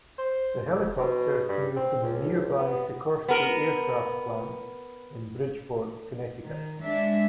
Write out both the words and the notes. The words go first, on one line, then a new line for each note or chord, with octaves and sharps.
The helicopter flew from the nearby Sikorsky Aircraft plant in Bridgeport, Connecticut.
C5
F2
B2
G2
C4
C#2
B3
B3 A#4
D#3
G#3 D4 E5